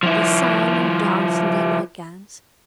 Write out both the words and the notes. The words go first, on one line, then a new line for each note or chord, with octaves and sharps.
They sang and danced in their night-gowns.
F3 E4